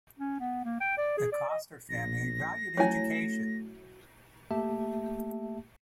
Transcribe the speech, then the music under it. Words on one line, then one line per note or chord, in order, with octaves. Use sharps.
The Coster family valued education.
C#4
B3
A#3
G5
D5
G#4
D5
D#5
A#1 A#6
F#3 A3 C#4 E4 C#5 G#5
A3 A#3 G4 E5 A5